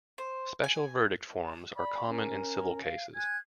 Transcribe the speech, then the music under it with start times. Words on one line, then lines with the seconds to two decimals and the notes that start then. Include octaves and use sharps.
Special verdict forms are common in civil cases.
0.18 C5
0.64 G#5
1.76 D5 B5
2.08 C#4 A#4
2.83 F5
3.15 G#5 F#6 G#6